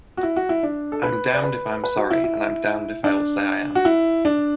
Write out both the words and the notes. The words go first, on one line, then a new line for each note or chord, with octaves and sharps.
I'm damned if I'm sorry and I'm damned if I will say I am.
F#4
E4
F#4
E4
D4
A4
B4
D5
B4
B4
F#4
E4
E4
D4
F#4
E4
D4